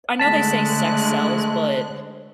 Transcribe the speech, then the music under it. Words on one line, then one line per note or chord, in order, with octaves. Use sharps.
I know they say "sex sells" but
D3 G#3 A3 A5 F#6 B6